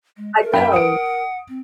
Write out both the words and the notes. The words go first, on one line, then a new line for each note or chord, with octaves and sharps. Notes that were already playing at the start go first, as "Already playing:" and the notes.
I know.
G#3
A#4
F#2 E5 G5 B5
F#5 D#6 D7
C4